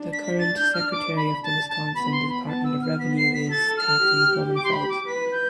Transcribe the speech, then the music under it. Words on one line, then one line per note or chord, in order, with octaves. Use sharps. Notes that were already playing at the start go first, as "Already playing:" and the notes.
The current Secretary of the Wisconsin Department of Revenue is Kathy Blumenfeld.
Already playing: D4
B6
A6
G6
F6
D6
B5
A5
A5
B3 B5
C6
B5
B3 A5
E6
F6
B3 B6
C7
B6
A4 A6
F6
G4
D6
C6
B5
D6
B4 B6
G6